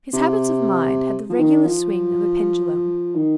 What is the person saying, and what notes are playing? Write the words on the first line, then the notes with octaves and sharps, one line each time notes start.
His habits of mind had the regular swing of a pendulum.
C3
F3
D#3
F3
D#3